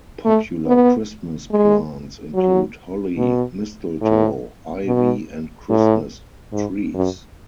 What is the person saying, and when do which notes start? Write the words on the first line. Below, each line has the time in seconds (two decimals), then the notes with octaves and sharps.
Popular Christmas plants include holly, mistletoe, ivy and Christmas trees.
0.25 A3
0.66 B3
1.51 G#3
2.34 F#3
3.17 B2
4.01 A2
4.85 B2
5.70 A2
6.52 G#2
6.94 F#2